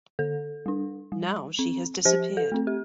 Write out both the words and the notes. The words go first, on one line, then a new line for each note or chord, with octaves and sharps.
Now she has disappeared.
D3 A4
G3 D4
G3
C4
F3 G4 C5
A4
A3 C4
G4